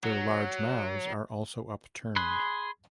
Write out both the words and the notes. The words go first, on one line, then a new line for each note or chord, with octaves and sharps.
Their large mouths are also upturned.
F#3
G#4 B5 C6 F#6